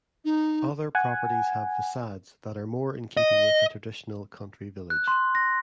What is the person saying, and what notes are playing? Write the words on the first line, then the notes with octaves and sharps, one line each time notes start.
Other properties have facades that are more in keeping with a traditional country village.
D#4
F#5 G#5
D#5
F#6
C6
A#6